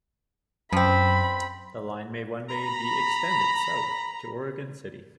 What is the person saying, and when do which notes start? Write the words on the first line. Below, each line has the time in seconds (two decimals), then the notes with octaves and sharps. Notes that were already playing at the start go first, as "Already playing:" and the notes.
The line may one day be extended south to Oregon City.
0.72 F#2 F3 C4 B5
2.49 A#5 B5